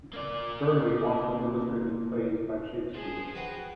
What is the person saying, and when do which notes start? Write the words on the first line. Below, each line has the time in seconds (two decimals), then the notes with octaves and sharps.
Burleigh also illustrated plays by Shakespeare.
0.14 A#3 D5
2.94 F3 G#4
3.35 F#4 B4 F#5 G5